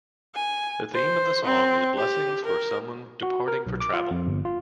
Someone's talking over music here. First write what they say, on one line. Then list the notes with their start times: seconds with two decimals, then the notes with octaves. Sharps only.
The theme of the song is blessings for someone departing for travel.
0.35 G#5
0.94 C5
1.45 C4
1.98 G4
2.45 A#4
3.23 F#4
3.48 A#4
3.66 B1
3.80 D6
3.93 F4
4.11 F2
4.27 G1
4.45 F4